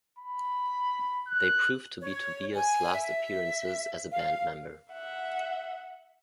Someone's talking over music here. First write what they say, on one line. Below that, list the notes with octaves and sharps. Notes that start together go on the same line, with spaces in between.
They proved to be Tobias' last appearances as a band member.
B5
F#6
C#5
G#5
E5
F5
E5 F#5